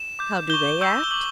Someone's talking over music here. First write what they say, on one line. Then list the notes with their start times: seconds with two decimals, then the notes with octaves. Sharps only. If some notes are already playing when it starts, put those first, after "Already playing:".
How do they act?
Already playing: E7
0.19 D6 G6
0.50 C#6 G6 G7
0.81 C#6 E6 G6
1.04 G7
1.11 D6 G6 F#7